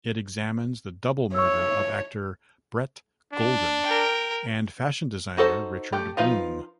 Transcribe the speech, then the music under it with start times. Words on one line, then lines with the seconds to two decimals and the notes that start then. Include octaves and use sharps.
It examines the double murder of actor Brett Goldin and fashion designer Richard Bloom.
1.34 C#5 C#6 E6
3.32 D4
3.83 A#4 G5
5.37 D#4 F#4 A4 C5
5.92 A3 G4
6.17 F3 D#4 F4 B4 F5